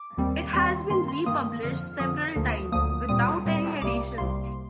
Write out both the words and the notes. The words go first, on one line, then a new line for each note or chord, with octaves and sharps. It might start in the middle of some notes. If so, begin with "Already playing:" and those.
It has been republished several times, without any additions.
Already playing: D6
D#2 D#3 G3 C4
D#2 D#3 G3 C4 C6
G2 D#3 A#3 C6
C6
G2 D#3 A#3 D#6
F2 D3 F3 F6
F2 D3 F3 D#6
D2 D3 F3 A#3
D2 D3 F3 A#3 D#6
A#2 G3 C4 D#6
A#2 G3 C4
C2 C3 G3 A#3 D6
C2 C3 G3 A#3 C6